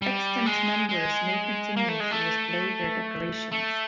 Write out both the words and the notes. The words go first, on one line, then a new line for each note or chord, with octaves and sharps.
Extant members may continue to display their decorations.
G3
G#3
G#3
A#3
A3
G#3
A3
A3